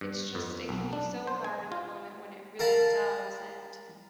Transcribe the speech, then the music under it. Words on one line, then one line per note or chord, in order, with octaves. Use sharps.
It's just it can be so hard in the moment when it really does, and,
G2
F2
B1
D4
C5
G#5
F4
A#4 F5 A5 B5